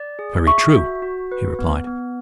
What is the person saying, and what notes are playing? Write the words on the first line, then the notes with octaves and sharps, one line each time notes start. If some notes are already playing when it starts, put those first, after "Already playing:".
"Very true," he replied.
Already playing: D5
G#4
E5 C#6
F#4
F#4
B4
B3
B3